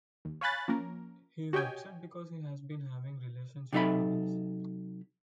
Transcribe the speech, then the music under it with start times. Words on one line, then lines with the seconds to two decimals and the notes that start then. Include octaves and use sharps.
He is upset because he has been having relationship troubles.
0.25 D#2
0.41 C#5 F5 G#5 B5 F#6 A6
0.68 F3 A#3 C#4 A#4
1.53 F#4 G4 C#5 D#5 G5 G#5
3.73 C3 F#3 D#4 A4 E5 B5